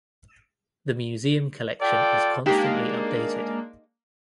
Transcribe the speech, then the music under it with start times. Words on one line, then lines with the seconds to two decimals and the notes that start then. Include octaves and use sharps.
The museum collection is constantly updated.
1.81 F4 A4 D5 G5
2.46 G#3 A#3 D4 D#4 G4